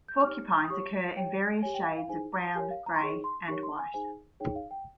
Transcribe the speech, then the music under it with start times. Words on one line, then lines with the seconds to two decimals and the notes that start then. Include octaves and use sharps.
Porcupines occur in various shades of brown, gray, and white.
0.08 G6
0.24 D#4 G4 C#5 F6
0.64 D#6
0.70 G4 C#5 C#6
1.16 G4 C#5 G5
1.62 G4 C#5 G#5
1.74 G5
1.85 F5
1.98 F5
2.09 D#4 G#4 C5 G#5
2.33 A#5
2.55 G4 A#4 C#5 G#5
2.71 F5
2.86 A#5
2.95 C6
3.01 D#4 G#4 C#5 C#6
3.24 C6
3.48 D#4 G4 A#4 C#5 C#6
3.63 C6
3.79 G#5
3.94 D#4 G#4 C5 G#5
4.40 D#4 G#4 C#5 G5
4.56 F5
4.71 G5